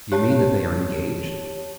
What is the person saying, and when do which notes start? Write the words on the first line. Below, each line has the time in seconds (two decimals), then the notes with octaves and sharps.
"Do you mean that they are engaged?"
0.12 G4 C#5 A5